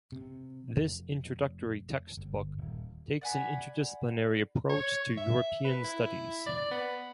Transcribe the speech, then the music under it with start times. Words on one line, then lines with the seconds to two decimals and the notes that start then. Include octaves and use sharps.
This introductory textbook takes an interdisciplinary approach to European studies.
0.12 C3
0.73 F1
2.17 G1
2.58 D#1
3.21 D5 F#5 G#5 B5
4.70 C#5
5.17 E5
5.65 B4
5.84 E4
6.46 D5
6.71 B3